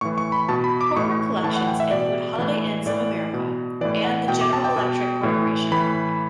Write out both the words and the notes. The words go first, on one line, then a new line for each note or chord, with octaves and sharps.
Corporate collections include Holiday Inns of America and the General Electric Corporation.
A2 E3 C#6
C#6
B5
B2 A5
B5
D6
A2 E3 C#6
A2 E3 A5
F#5
G5
E5
B2 D5
A2 E3
A2 E3 D5
B2
A2 E3 D5
F#5
B2 G5
D6
A5
G5
B2
A2 E3
A2 E3 B5